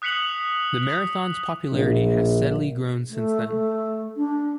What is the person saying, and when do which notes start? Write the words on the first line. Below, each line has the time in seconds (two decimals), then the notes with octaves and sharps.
The Marathon's popularity has steadily grown since then.
0.02 D#6 F#6 B6 C#7 F7 F#7
1.72 A#1
3.10 A3
3.46 A3
4.17 D4